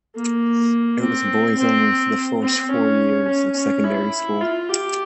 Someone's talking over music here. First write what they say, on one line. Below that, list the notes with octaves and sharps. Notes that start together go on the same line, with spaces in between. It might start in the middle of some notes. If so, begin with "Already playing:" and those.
It was boys-only for the first four years of secondary school.
A#3
C4
C4
C4
C#4
C#4
C#4
E4
F4
G4